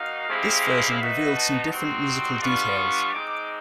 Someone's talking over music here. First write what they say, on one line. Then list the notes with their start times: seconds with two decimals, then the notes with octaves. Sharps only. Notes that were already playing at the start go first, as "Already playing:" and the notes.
This version revealed some different musical details.
Already playing: A#3 D#4 F#4 F5
0.28 G#3 C4 E4 G4
0.99 B3 D#4 F#4 E5
1.34 A5
1.70 G3 C4 D#4 F#4 C6
2.41 G3 B3 D4 F4 C#6
2.76 C#6
3.13 G#3 C4 D#4 D6